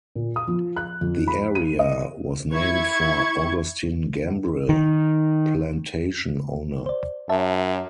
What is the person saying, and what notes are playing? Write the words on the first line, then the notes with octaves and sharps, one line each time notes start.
The area was named for Augustine Gambrill, plantation owner.
A#2
D#6
F3
F#6
F2
B5
D#7
D#5
E4 C#6 G#6
D#3
C5 D5
F#2 C#5 E5 A5